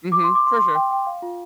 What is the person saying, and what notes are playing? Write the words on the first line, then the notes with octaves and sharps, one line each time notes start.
Mhm. For sure.
D6
C6
D6
C6
C6
G5
G5
F5
F4